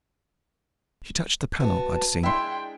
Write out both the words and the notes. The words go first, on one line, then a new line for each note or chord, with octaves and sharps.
She touched the panel I'd seen.
B3 F#4 A5
G#3 D4 E4 G5 C6